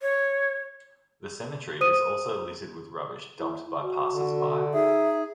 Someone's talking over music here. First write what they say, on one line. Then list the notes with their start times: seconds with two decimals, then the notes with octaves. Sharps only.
The cemetery is also littered with rubbish dumped by passers by.
0.02 C#5
1.81 C5 D#6 D#7
3.39 E4
3.81 F#4
4.13 D3
4.73 D#4 G#4 E5